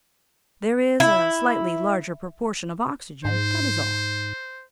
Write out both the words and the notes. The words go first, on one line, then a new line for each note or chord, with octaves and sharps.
There is a slightly larger proportion of oxygen; that is all.
E4
G#2 C5